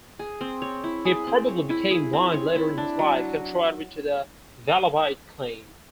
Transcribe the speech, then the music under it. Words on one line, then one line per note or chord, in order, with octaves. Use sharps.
He probably became blind later in his life, contrary to the Vallabhite claim.
G#4
C4
C#5
E4
G#4
C4
C#5
E4
G#4
C4
C#5
E4
D4
F#3